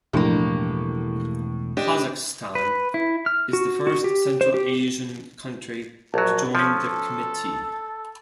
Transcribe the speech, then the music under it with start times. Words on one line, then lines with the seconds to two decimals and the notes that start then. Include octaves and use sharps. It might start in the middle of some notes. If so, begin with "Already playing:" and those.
Kazakhstan is the first Central Asian country to join the Committee.
0.13 E1 A2 F3 A#3 D4 G4
1.77 D4 G4 D#5
2.55 B4
2.94 E4
3.26 F6
3.53 F#4
3.87 F#4
4.04 G4
4.41 C5
4.54 G4
6.14 A#1 F#3 A5
6.55 F3 C#4 A4